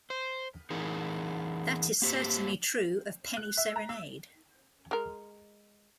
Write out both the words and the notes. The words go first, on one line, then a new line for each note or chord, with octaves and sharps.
That is certainly true of "Penny Serenade".
C5
E3 D#4 G#4 A#4
A#3 G4 C5
F#6
E5
A#5
E6
G#3 A#4